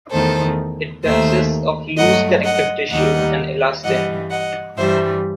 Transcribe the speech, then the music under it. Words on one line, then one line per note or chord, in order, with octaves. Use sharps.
It consists of loose connective tissue and elastin.
E2 D#3 A3 A4 C5
D#2 D#3 A3 C5 E5
G2 F#3 A3 D#5 F#5
D#5 F#5
D#2 D#3 G3 D#5 F#5
G2 E3 G3 D#5 F#5
D#5 F#5
G2 E3 G3 C5 E5